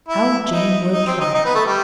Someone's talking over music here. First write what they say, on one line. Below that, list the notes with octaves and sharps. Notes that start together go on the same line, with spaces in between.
How Jane would triumph!
E4
D#4
D#4
C4
D#4
D#4
B3
A3
G3